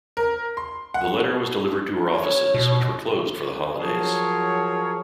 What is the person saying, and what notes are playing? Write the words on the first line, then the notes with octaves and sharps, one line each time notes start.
The letter was delivered to her offices, which were closed for the holidays.
A#4
C6
F#5
C#5
B2
F3 F#3 G#4 A#4 C#5